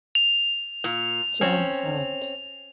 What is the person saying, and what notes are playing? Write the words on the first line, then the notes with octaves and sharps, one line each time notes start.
John Hand.
F7
A#2
C4 C#4